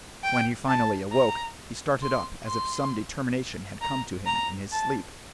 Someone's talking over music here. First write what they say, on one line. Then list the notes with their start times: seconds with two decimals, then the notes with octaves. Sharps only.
When he finally awoke, he started up as if some determination had come to him in his sleep.
0.24 G5
0.68 A5
1.12 A#5
2.02 C6
2.47 C6
3.81 A#5
4.26 A#5
4.72 A5